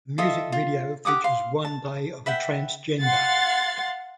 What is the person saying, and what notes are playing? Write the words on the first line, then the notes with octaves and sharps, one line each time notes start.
The music video features one day of a transgender.
F4 A4 D#5 E5
F4
G4 F#5 D6 D#6
F5 C6
A5
B4 E5 F#5 G5
F5 F#5 C6 A6